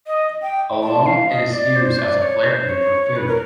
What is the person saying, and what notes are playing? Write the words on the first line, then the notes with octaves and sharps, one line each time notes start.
Alone, it is used as a flavoring for food.
D#5
G5
A5
F5
D#5
D5
C5
D5
C#5
C5
C#5
B4
A#4